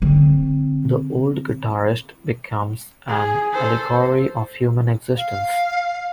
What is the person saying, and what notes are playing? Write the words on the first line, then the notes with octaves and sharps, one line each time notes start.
"The Old Guitarist" becomes an allegory of human existence.
D3 C4
G#4
A4 C5
F5